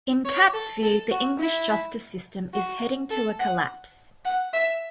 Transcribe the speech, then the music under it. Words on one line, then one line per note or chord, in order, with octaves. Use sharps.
In Catt's view the English justice system is heading to a collapse.
C#5
A4
A4
F#4
E4
F#4
A4
F#5
F#5
E5